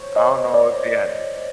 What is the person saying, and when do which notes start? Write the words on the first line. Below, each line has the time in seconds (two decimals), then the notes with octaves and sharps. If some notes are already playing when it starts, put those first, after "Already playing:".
I don't know if they had it
Already playing: C5 C#5
0.16 D#5
0.54 D5